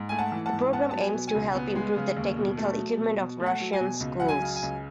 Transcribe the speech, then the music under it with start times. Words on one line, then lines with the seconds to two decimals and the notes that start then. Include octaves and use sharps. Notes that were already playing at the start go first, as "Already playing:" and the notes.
The program aims to help improve the technical equipment of Russian schools.
Already playing: G#2
0.09 A3 G#5
0.19 F#5 A5
0.32 E3
0.46 F#5 A5
0.52 G#2
0.73 B3 F#5 A5
0.91 F#3 A5
1.00 G#5
1.14 B2
1.28 G#5
1.35 C#2
1.55 B3
1.75 G#3
1.96 C#3
2.17 D#2
2.37 B2
2.58 A3
2.78 F#3
2.98 B2
3.19 B2
3.40 A3
3.46 F#5
3.60 F#3
3.73 G#5
3.80 B2
4.00 C#2
4.20 F#3 F#5
4.29 G#5
4.42 C#3
4.56 G#5
4.63 C#2